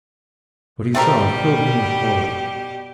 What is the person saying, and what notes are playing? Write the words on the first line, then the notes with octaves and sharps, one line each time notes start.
What he saw filled him with horror.
B2 G3 A3 C4 G4 A#4